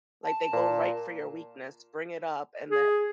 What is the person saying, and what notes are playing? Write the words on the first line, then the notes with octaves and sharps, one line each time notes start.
Like, they go right for your weakness, bring it up, and then
A5
A#2
G#4